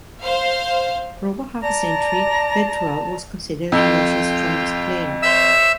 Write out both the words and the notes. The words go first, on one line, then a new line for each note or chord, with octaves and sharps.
For over half a century Petrov was considered Russia's strongest player.
C5 F5
D5 A5 A#5
F2 F4 G5
C5 C#5 E5 E6